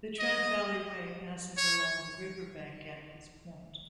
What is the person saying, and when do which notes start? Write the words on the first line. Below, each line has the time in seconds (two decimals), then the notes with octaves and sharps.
The Trent Valley Way passes along the riverbank at this point.
0.19 D#5
1.57 C#5